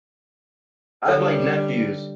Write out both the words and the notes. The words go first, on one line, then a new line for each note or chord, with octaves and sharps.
I have, like, nephews.
D3 G3 A4 C#5